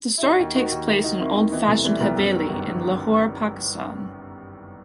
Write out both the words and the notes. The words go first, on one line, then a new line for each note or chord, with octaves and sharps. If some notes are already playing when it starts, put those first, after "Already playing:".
The story takes place in an old-fashioned "haveli" in Lahore, Pakistan.
E4
D#2 D#4 F#4
D#2
D#3 D#4 F#4
D#2
D#3 E4 G4
D#3 D#4 F#4
D#3 C4 E4
D#2 C4 E4
E3 B3 D#4
C2 A3 C4
E3 G3 B3
C2 G3 B3
F#2
D#3
G1